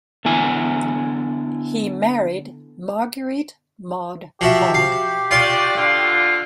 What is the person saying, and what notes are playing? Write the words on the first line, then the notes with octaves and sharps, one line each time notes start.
He married Marguerite Maud Hogg.
D3 B3 E4 G#5
F3 F#4 G4 E5
F5
F4 F#4 D5 F5 C6
D3 F4